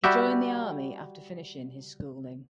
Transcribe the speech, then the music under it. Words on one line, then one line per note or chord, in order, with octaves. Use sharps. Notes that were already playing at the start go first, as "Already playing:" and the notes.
He joined the Army after finishing his schooling.
G3 F#4 G4 E5